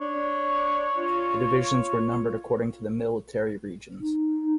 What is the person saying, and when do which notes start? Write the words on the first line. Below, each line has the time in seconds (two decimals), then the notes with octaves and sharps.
The divisions were numbered according to the military regions.
0.01 D4 C#5
0.97 F4
4.00 D#4